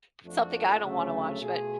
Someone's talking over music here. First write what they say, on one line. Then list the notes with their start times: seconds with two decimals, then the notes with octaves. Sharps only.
but something I don't wanna watch, but
0.24 F2 F3 A3 D4 F#4
0.82 D2 C#3 F#3 A3
1.40 B2 A3 F4 G#4